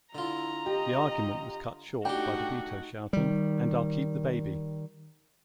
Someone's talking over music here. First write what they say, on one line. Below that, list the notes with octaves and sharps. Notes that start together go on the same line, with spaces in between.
The argument was cut short by DeVito shouting ...And I'll keep the baby!
D3 E4 F4 A#5
G4 D#5
A3 D4 D#4 F#4 G4 G5
D#3 G3